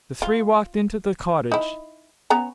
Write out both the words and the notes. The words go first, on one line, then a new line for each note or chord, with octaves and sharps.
The three walked into the cottage.
F4
D#4 E4
B3 C#4 A#5